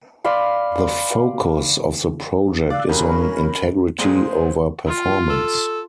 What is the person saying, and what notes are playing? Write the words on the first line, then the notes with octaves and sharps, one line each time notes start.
The focus of the project is on integrity over performance.
D5 F5 B5 C6
D5 F5 E6 F#6
F2 F#3 C#4 A#4 B5
F2 A#2 G#3 C5
F4
A4